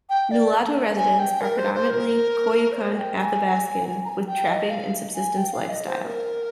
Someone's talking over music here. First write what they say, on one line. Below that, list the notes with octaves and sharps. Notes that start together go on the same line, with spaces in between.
Nulato residents are predominantly Koyukon Athabascan with trapping and subsistence lifestyle.
G5
D5
G#5
G5
A#4
C5
C5
A#4
D5
C5
G#5
G5
G#5
A#5
G#5
G5
D#5
F5
G#5
G5
F5
D#5
C5
C5
A#4